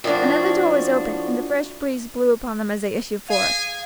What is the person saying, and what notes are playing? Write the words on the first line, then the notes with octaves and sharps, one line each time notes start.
Another door was opened, and the fresh breeze blew upon them as they issued forth.
F2 A2 F3 D4 F#4
G#4 F5 G#5